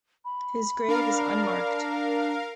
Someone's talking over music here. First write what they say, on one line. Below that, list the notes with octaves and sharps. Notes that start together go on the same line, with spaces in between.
His grave is unmarked.
B5
D4 A#4 F5